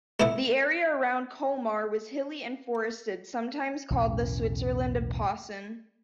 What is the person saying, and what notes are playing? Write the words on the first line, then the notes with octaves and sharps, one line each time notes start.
The area around Kolmar was hilly and forested, sometimes called the "Switzerland of Posen".
A3 B3 E4
B1 E2 A2 C#4